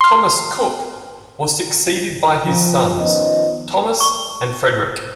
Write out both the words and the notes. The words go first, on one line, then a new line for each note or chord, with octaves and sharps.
Thomas Cooke was succeeded by his sons, Thomas and Frederick.
C6 F6
F3
D#3 F3 B3 C#4 C5 D#5
C#6